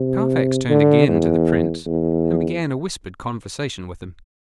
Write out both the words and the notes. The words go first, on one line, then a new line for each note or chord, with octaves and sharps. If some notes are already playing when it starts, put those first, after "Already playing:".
Carfax turned again to the Prince, and began a whispered conversation with him.
Already playing: C3
D3
E2
E2